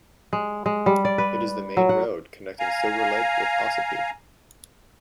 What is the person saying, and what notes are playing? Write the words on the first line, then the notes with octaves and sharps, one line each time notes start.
It is the main road connecting Silver Lake with Ossipee.
G#3
G#3
G3
D5
B4
F#3
F#5
F5 G#5 A#5